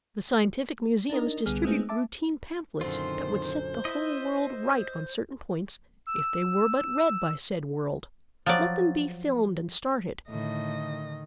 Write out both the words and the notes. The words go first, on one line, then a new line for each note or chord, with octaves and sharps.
The scientific museums distribute routine pamphlets that would set the whole world right on certain points if they were but read by said world. Let them be filmed and started.
D4 D#4 A#4 D#5
C2 D3 G3 B3 G#4 F6
G#3 A3 B3 C4 D#4 G#4
E5 A5 D6
F#2 A#2 D3 D#3 C4 F4 C5
E4 D#5 E5
E6
F3 F#3 D5
A2 D3 D#3 D#5